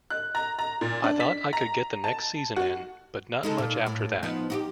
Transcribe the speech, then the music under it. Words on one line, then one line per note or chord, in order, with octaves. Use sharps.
I thought I could get the next season in, but not much after that.
F#6
A#5
A#5
A#2
D4
B6
A#5
A5
F#4
G#3 D#4 A4
A#2
A2
F3 B3 D#4
D#4 F#4 G4